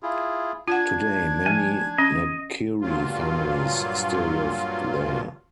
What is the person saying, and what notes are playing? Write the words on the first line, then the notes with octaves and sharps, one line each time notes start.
Today many Naciri families still live there.
E4 F4 G#4
D4 F4 F#5 G#6
F3 G#5
C#4 D#5
G2 A#2 F#3 F4